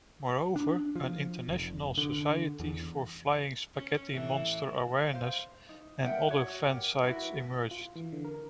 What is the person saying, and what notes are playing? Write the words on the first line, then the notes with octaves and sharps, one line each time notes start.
Moreover, an International Society for Flying Spaghetti Monster Awareness and other fan sites emerged.
D4
F3
F1
D3
E2
C#4
A2 E3
C5 F5
D#4
A#4 E5 F#5 G5
F#4 C#5
G4 A#4 F#5
E4 F#4 A#4 B4
F4
E3
D3
A#4